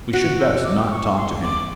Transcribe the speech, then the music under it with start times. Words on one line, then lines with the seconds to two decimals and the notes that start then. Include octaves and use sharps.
"We should best not talk to him."
0.13 F#4 F#6
0.39 E6
0.64 D6
0.91 C#6
1.16 C6
1.42 D6